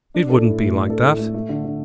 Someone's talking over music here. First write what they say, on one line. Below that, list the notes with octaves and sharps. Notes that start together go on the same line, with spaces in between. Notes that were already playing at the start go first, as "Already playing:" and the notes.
"It wouldn't be like that."
D4
A4
A2
A3
D4
A4
A2
A3
A3
D3
D3